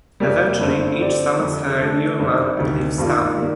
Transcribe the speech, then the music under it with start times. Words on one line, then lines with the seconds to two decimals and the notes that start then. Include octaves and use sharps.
Eventually, each summons her ideal man and leaves town.
0.20 F2 C3 G3 A#3
0.59 G1 G2 D3 A3 C4
0.99 D3 F3 C4 G4 D5
1.39 F2 D3 G3
1.79 D3 A3 D4 A4
2.19 G2 D#3 G3 C4
2.58 D2 C3 D#3
2.98 G2 D#3 A#3 F4
3.38 D#3 G3 A#3